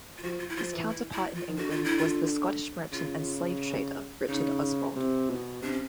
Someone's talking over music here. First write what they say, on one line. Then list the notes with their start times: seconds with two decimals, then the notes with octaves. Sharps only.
His counterpart in England was the Scottish merchant and slave trader Richard Oswald.
0.17 F4
0.23 F3 F#4
0.39 F4
0.49 E4
0.56 F3 F4
0.73 E3 F4
0.90 E4
1.12 E4
1.35 F4
1.48 D#3
1.58 D3 F#4
1.71 F4
1.84 E4
1.98 F4
2.92 C#3 F4
4.28 C#3 D#4
4.96 C3
5.30 B2
5.62 C3 D4
5.72 C#4